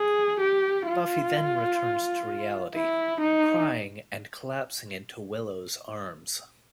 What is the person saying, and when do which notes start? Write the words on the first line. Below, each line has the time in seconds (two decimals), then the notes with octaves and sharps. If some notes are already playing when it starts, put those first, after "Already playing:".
Buffy then returns to reality, crying and collapsing into Willow's arms.
Already playing: G#4
0.40 G4
0.87 F4
2.75 E4
3.20 D#4